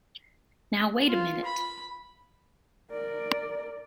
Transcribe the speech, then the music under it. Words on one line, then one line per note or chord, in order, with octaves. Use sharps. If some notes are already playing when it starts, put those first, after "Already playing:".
Now wait a minute!
F4
B5
A#4 D5